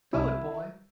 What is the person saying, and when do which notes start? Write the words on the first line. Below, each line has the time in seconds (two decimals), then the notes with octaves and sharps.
"Go it, boy!"
0.13 C2 E4